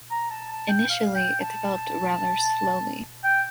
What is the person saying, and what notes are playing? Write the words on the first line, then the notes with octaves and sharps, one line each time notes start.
Initially, it developed rather slowly.
A#5
A5
A5
G5
F5
G5
A5
G5